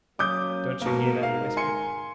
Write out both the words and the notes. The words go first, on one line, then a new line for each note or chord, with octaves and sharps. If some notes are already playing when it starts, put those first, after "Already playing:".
"Don't you hear that?" he whispered.
F#3 A#3 C#4 D6 D#6 G6
G#2 B2 A#3 A#4 A#5
F5
G#5 C6 C#7